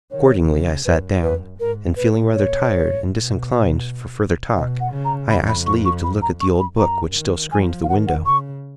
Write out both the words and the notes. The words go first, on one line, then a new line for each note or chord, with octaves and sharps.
Accordingly I sat down, and feeling rather tired, and disinclined for further talk, I asked leave to look at the old book which still screened the window.
D#3 C#5
C#3
F#2 B4
F#2 B4
G#2 A#4
A#2 B4
C#5
B2
B2 D#5
F#5
C#3
A#5
F2 B5
B5
C#6
C#6
B5
A#5
C#6
B5
F#2 A#5
D#3
F3 G#5
F5
D#3 F#5
F#5
C#3 C#6